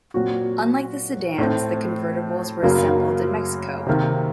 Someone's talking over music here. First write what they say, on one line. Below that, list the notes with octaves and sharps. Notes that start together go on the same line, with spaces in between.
Unlike the sedans, the convertibles were assembled in Mexico.
A#2 F#3 C4 F#4
A2 A3 C4
F#2 C#3 F#3 A#3
C3 D#3 A#3